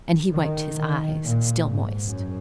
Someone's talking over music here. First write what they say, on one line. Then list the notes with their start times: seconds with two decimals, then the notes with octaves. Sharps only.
And he wiped his eyes, still moist.
0.32 D#3
0.76 D#3
1.21 A#2
1.64 G#2
2.08 F#2